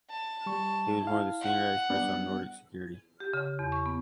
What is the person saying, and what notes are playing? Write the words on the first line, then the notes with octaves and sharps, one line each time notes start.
He was one of the senior experts on Nordic security.
A5
G3 C#6
E4 F5
F#5
G3 B3 D4
G4
C#3
E2
C#6
B3